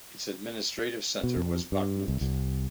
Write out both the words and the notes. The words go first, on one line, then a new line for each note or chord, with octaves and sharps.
Its administrative centre was Bakhmut.
B2
F2
G2
C2
C2